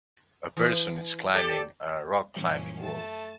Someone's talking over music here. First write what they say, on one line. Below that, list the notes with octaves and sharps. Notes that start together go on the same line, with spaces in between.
A person is climbing a rockclimbing wall.
E3
G4 A4 D5
F#2 A#2 E3 F3 G3 C#4
A3 A5